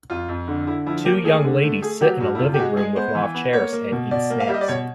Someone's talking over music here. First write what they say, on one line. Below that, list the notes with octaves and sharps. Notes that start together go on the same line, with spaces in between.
Two young ladies sit in a living room with mauve chairs and eat snacks.
F2 F4
F2
D3
D3 E4
F3 E4
A#3 G4
A3 G#4
D3
A3
A3 G#4
F#3 G4
G2 F#4
E4
C3 F4
G4
G#3 F#4
G#3 G#4
B3 C5
E3
B3
A#3 C#5
A#3
B2
B2 D5
A#3
F5
G3 E5
D#5
D5
B2 C#5